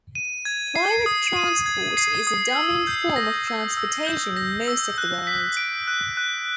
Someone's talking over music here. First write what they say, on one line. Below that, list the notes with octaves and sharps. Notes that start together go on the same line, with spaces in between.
Private transport is the dominant form of transportation in most of the world.
D#7
G#6
C7
D#6
D#7
G#6
C7
D#6
E6
G6
A#6
E6
E6
G6
A#6
E6
F#6
B6
D7
F#6
F#6